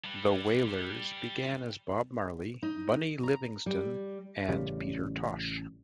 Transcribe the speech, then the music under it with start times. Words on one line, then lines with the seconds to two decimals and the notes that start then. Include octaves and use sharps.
The Wailers began as Bob Marley, Bunny Livingston and Peter Tosh.
0.04 G3 B4
2.63 D#4
3.23 A#5
3.66 G3
4.49 A1 C#3 G3